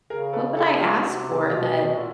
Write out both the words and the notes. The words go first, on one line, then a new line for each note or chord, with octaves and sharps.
what would I ask for that
C#3 G#4 A#4
A4 B4
G4 A4
F4 G4
C3 E4 F#4
B2 F4 G4
A#2 E4 F#4